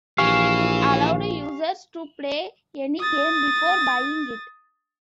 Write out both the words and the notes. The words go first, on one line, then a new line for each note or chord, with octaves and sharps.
It allowed users to play any game before buying it.
A#1 E3 G4 F5 G#5 C#6
D#6 A6